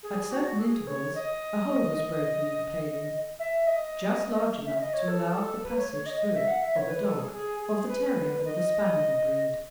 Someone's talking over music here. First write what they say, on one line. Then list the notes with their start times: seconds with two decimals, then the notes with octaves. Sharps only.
At certain intervals a hole was broken in the paling just large enough to allow of the passage through it of a dog of the terrier or the spaniel breed.
0.02 G#4
0.31 F#4
0.59 A4
0.63 G#4
0.87 C#5
1.14 D#5
3.39 E5
3.67 D#5
4.65 E5
4.79 D#5
4.93 C#5
5.07 A4
5.63 B4
5.77 C#5
5.92 C#5
6.06 D#5
6.20 D#5
6.34 E5
6.47 F#5
6.61 E5
6.76 C#5
6.89 B4
7.04 A4
7.18 G#4
7.32 G#4
7.60 G#4
7.88 B4
8.44 D#5